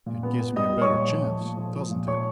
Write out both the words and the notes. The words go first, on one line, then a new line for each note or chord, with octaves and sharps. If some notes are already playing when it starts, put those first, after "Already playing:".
"It gives me a better chance--doesn't it?"
A#2
B3
B3
G3 D#5 D#6
G3
C#5 C#6
A#2
F3
A3
A#2
F3
F3
A#2
A3 C#5 C#6